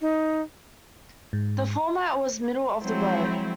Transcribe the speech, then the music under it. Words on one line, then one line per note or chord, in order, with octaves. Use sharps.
The format was middle-of-the-road.
D#4
G#2
F3 F#3 G#3 C4 E4 C5